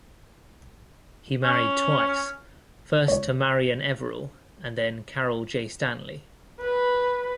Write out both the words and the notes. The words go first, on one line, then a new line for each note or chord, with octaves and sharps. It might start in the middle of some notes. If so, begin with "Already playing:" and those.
He married twice, first to Marian Everall and then Caryl J. Stanley.
C#4
C#2 C#5
B4